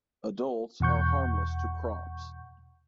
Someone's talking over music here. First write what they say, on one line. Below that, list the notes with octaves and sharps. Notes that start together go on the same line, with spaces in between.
Adults are harmless to crops.
E2 B2 F#5 C#6 G6